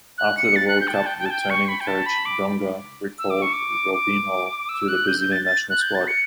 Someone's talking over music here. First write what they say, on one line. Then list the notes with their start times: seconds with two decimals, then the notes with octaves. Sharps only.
After the World Cup, returning coach Dunga recalled Robinho to the Brazilian national squad.
0.18 F#6
0.37 C#7
0.56 A6
0.68 F#6
0.81 G6
0.88 G5
0.94 A5
1.06 G5
1.18 G5
1.26 A5
1.31 G5
1.50 C#6
1.69 B5
1.81 G5
1.87 A5
2.06 B5
2.25 D6
3.19 E6
3.30 D6
3.42 C#6
3.53 D6
3.94 D6
4.69 E6
4.88 F#6
5.07 G6
5.20 G6
5.32 A6
5.45 A6
5.70 F#6
5.82 G6
5.95 A6
6.08 C#7